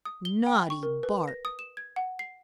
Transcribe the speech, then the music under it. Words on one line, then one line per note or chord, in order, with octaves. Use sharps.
"Naughty Bart!"
D#6
G7
G5
C#6
A#4
B4
A#6
D#6
E7
G#6
F#5
C7